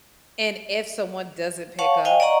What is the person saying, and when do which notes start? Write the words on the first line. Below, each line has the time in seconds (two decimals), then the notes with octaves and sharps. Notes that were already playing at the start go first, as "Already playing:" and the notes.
And if someone doesn't pick up,
1.79 C#5 F5 F#5 A5 C#6
2.05 C5 D#5 F5 G5 G#5
2.20 D5 D#5 F#5 A#5 C#6